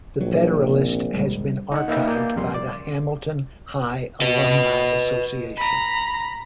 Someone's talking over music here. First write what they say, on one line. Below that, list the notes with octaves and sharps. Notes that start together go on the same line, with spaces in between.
The Federalist has been archived by the Hamilton High Alumni Association.
A#1 F#3
C3
D1 G3 G#3
D#4 F#5
A#3 D#4 B4 E5 G5
A#3 A#4 D5 G6
F2 C#3 G3 C6
D5
B4 D#5
A#5 B5